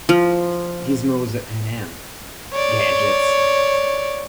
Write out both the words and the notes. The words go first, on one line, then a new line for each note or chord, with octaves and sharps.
Gizmos and amp; Gadgets!
F3
C#5 D5